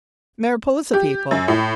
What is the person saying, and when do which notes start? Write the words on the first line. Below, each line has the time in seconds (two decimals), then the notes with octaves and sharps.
Mariposa people!
0.93 G4
1.31 F#2
1.48 A2